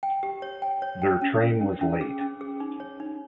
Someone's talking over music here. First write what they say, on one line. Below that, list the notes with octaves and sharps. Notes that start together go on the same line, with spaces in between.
Their train was late.
G5
G4
C#5
G5
C#5
G5
C#4
C#4
C#4
C#4
G#4
C#4
G#4
D#4
C#5
D#4